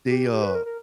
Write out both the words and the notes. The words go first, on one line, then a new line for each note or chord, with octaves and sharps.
they, uh
G4
G4
B4
A#4
A#4